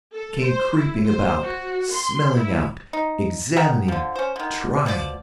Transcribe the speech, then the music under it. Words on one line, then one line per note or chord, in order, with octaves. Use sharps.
He came creeping about, smelling out, examining, trying!
A4
C5
E4
C5
F#4
C6
E4
D#4
B3 A#4 F#5 G5
D3 F3
C#4 C5
D3 D#3
B2 F3 C4 D5